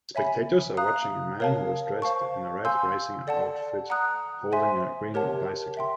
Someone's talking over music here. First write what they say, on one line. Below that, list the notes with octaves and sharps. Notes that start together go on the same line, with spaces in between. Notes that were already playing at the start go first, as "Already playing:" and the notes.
Spectators are watching a man who is dressed in a red racing outfit holding a green bicycle.
C#5 E5 G#5 B5
F5 A#5 D#6 F#6
A#4 C#5 F5 A5
C5 F5 A5 C#6
F5 G#5 C6 E6 G6
A4 D5 F#5 A5
F#5 A#5 D#6 F#6
C5 E5 G#5 C6
G4 A#4 C#5 F#5 A5
E5 G5 C6